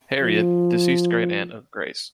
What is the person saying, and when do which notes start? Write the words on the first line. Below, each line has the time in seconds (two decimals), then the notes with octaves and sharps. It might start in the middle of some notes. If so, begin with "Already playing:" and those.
Harriet: Deceased great-aunt of Grace.
0.22 F3